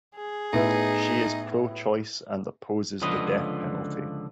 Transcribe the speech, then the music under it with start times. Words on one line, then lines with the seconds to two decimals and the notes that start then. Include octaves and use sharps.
She is pro-choice and opposes the death penalty.
0.16 G#4
0.53 A2 B3 D#4 E4
3.02 C#2 D3 F3 B4 D#5